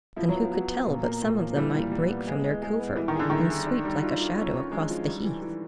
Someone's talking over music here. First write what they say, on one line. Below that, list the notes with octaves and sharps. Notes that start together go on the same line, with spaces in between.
And who could tell but some of them might break from their covert and sweep like a shadow across the heath?
F3 E4
F#3
B3
F3
F#3
B3
A#2
A#3
A#2
F3
E3 G3
A#2
G3
B3
G#3
G#3
G#3
B3
E3 G3
D#3
D3 G#4
D#3 E4
G#4
D4
G3
F4
F4
C#4
C#4
G#3
F3
G3
E3
E3